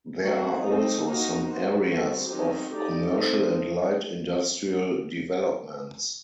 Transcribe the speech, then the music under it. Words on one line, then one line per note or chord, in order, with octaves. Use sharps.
There are also some areas of commercial and light industrial developments.
F#3 A3 C4 F#4
A3 C4 D#4
A#3 D#4 F#4 A#4
A#3 F#4 C5
G3 C4 F#4 A4
D#3 F#3 C4 D#4 G4
A3 D#4 G4 D5
C4 D#4 A4 C5